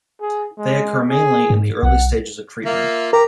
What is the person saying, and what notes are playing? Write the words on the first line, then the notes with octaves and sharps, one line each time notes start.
They occur mainly in the early stages of treatment.
G#4
G#3
G#4
G#2
B1 F#5
A#3 F4 E5
G4 A#4 A#5 D6